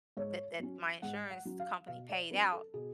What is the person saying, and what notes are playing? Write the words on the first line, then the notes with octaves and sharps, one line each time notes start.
that that my insurance company paid out.
G#2 C#5
F#3 C#4
G#2 F#5
F#5
F#3 C#4
F5
B2 F5
D5
F#3 C#4 B4
A4
B2 G#4